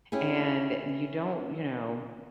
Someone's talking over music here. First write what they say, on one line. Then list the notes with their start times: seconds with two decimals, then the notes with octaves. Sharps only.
and you don't, you know
0.12 C#4 E4 G4 G#4